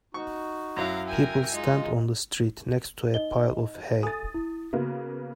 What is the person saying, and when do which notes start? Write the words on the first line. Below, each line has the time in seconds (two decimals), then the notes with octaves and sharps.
People stand on the street next to a pile of hay.
0.14 D#4 F#4 C#6
0.77 F#2 F#3 E4 F5 A#5
1.08 A#4 E5 G5 G#5
1.52 G#3 D#4 F4
3.14 D#4 D#5 G7
4.03 A4 G#5 D#6 A6
4.34 E4
4.73 C#3 A#3 B3 F#4